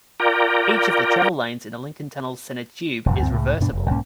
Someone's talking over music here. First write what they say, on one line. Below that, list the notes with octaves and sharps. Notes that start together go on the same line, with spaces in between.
Each of the travel lanes in the Lincoln Tunnel's center tube is reversible.
F4 A#4 D5 G5 A#5
E1 F#2 A#2
D2 G2 C4
C#2 A2 C#3
D2 G2 B2 D4
F1 F#2
B1 G#2 A#3 C#4